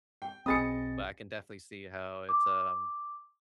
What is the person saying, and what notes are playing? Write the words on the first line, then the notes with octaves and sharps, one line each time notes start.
but I can definitely see how it's, um,
G5
B1 C4 G#4 D#5 B5 D#6 A6 C#7
D6